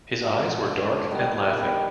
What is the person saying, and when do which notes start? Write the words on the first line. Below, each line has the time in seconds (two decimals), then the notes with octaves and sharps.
His eyes were dark and laughing.
0.21 D3 F3 G#3
0.66 D3 F3 G#3
1.11 D#3 G3 B3 D#4
1.56 D#3 G3 B3 D#4